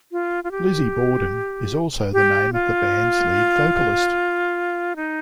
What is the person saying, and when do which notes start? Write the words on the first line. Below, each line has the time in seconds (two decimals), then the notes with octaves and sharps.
Lizzy Borden is also the name of the band's lead vocalist.
0.12 F4
0.44 F4
0.51 G4
2.13 G4
2.53 F4
4.96 D#4